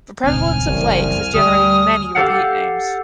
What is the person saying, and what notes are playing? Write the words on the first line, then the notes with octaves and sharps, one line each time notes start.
The prevalence of lakes has generated many repeat names.
D#1 C#2 C4 G#5 F6
F#1 C2 E3
D2 G3 D#6
G4 A4 F5 F#5